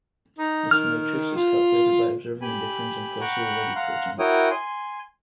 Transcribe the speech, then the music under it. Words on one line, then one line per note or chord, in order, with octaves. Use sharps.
This matrix is calculated by observing the differences in closely related proteins.
D#4
D#3 F6
F4
G4 G#5 B5
F#5 G5 A#5 B5 C#6
F5 F#5 A#5 C6
E4 F#4 A#4 C#5 G5 D#6
G#5 C6